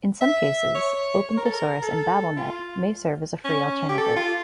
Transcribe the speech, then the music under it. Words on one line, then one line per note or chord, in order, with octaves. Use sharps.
In some cases, OpenThesaurus and BabelNet may serve as a free alternative.
E5
C#5
C#5
A#4
A4
A#4
A4
F4
C#4
G4
A4
F4